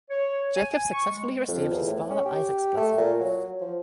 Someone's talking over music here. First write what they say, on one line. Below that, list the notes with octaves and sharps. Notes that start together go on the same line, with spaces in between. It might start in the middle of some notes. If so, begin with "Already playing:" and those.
Jacob successfully received his father Isaac's blessing.
C#5
G#5
C#6
G#3
F2
E2
A2
C#4
G4
A3
A#2
F#3
F3